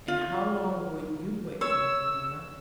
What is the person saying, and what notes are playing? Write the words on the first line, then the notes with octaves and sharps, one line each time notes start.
And how long would you wait for me, Lorna?'
F4
C#5 E6